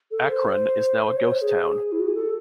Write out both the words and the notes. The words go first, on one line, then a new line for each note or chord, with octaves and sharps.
Acron is now a ghost town.
A4
A4
C5
C5
C#5
C5
G#4
E4
F#4
G#4
A4